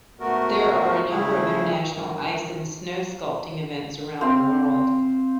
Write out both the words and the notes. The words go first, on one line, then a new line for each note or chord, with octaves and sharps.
There are a number of international ice and snow sculpting events around the world.
G#2 A3 B3 F#4 A#4
C#3 G3 A3 E4 G#4
G2 D#3
C4 F5